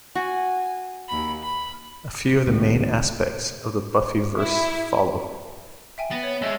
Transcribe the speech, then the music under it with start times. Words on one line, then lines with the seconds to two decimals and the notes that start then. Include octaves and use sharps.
A few of the main aspects of the Buffyverse follow.
0.15 F#4 G#5
1.08 D#2 B5
1.43 B5
2.47 G#1 C#2
4.37 E4
5.98 E5 G5 G#5
6.11 B3 A6 A#6
6.23 C#5
6.42 G#3 A4 D#5 E5